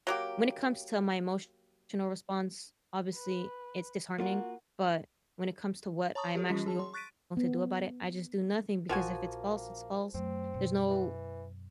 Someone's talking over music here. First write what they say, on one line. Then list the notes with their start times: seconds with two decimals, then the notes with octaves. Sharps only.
when it comes to my emotional response, obviously, it's disheartening, but when it comes to what I'm actually going to do about it, I just do nothing, because if it's false, it's false, there's no
0.07 F#3 A#3 G4
3.15 B4
4.18 A#3 F4 F#4 A#4
6.15 C#5 A5 A#5 C#6 D#6
6.35 G4 A4 C#5
6.49 E3 G3 C#4 F4 G4 B6
6.66 G#4 A5
6.79 C6
6.94 C#6 F#6 A6 B6 D7 D#7
7.37 B3
8.89 A#1 F3 A#3 D4 F#4 G#5
10.14 F#2 F#3 A3 C4
10.54 B2 A#3
10.89 E3